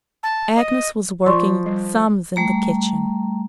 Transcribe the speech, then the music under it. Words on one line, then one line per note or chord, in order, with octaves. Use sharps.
Agnes was working sums in the kitchen.
A5
D#5
F3 D5 C6 C#6
G3
G3 A3 A#5